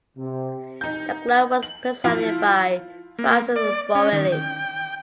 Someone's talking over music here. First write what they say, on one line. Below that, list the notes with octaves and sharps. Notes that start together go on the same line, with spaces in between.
The club was presided by Francis Borelli.
C3
D#4 G6
F#7
F3 E4 F4
A#3
D5
C#4
D#3
G5